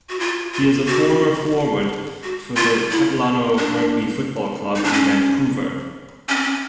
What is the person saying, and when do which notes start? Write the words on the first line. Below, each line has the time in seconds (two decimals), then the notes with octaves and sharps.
He is a former forward for the Capilano Rugby Football Club in Vancouver.
0.09 F#4
0.20 F4
0.54 F4
0.87 F#4
2.23 F#4
2.56 F4
2.91 E4
3.58 D4
4.75 D#4
4.84 D4
4.93 C#4
6.29 C#4
6.36 C4
6.43 C#4